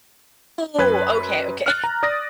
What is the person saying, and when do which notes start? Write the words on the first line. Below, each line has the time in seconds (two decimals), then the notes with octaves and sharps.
Oh, okay, okay.
0.78 F#2 B4 G#6
1.66 F6 F#6 A6
1.84 A#5
2.03 D5 D#6 A6 A#6